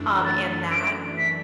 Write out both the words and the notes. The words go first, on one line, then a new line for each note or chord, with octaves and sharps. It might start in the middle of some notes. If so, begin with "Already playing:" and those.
um, and that
Already playing: F#2 E3 A3 D4
A6
D7
B6